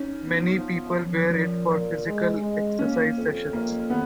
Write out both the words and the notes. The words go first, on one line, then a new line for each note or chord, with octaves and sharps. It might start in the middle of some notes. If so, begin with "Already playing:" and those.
Many people wear it for physical exercise sessions.
Already playing: C#4 D#4
B3
F3
F3
A#2
A#2
G#3
G#3
A#3 C#4
F2
F2 A#3
D#3 B3